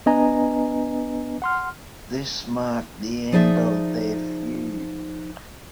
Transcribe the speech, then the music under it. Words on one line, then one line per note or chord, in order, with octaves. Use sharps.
This marked the end of their feud.
B3 D4 B4 D#5 G#5 A#5
F#5 C6 F6
F3 D#4 G#4 D5 E5